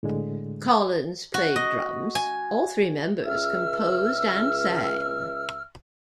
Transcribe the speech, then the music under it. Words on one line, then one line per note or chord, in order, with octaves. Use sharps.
Collins played drums; all three members composed and sang.
A2 D3 G#3
F#4
D#5
G#5
C#2 E5 E6 F6